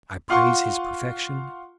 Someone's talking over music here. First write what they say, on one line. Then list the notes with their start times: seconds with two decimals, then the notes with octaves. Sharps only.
I praise his perfection.
0.30 F4 F5 F#5 C6 C#6